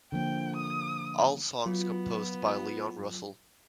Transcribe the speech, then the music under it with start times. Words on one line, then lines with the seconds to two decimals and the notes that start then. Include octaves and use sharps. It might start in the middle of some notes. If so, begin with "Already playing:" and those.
All songs composed by Leon Russell.
0.12 D3 F3 A#3 G5
0.57 D#6
1.66 F#3 B3 F4